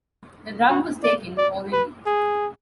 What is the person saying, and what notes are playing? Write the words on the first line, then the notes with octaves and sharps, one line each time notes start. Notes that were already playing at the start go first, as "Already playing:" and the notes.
The drug was taken orally.
F#4
D5
D5
B4
G#4